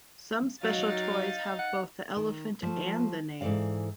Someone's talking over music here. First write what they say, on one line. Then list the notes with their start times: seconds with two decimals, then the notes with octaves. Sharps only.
Some special toys have both the elephant and the name.
0.63 F#3 D#4 F5 A6
1.59 F#5
2.17 D#3
2.63 F3 A3
3.41 G#2 E3 A4 D5 F5